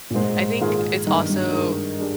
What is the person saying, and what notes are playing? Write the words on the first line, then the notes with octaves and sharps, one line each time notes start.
I think it's also
A#2
G#2 G#3 D#4 G#4 C5
D#3 A#3 F4 G#4
G2 D#3 A#3 D#4
G2
D#3 G#3 D#4 A#4
G#3 D4 G4